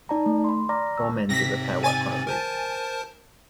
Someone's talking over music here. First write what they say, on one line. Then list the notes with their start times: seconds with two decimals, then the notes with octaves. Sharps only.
Four men do repair work on a roof.
0.09 D#4 D5 A5 A#5
0.26 A3
0.44 B5 C6
0.69 D5 A#5 D6 F6 A#6
0.98 A5 C#6 E6
1.29 G#2 C3 C4 A#6 B6
1.83 G#5 A6 D#7
2.27 A#4 C5 A5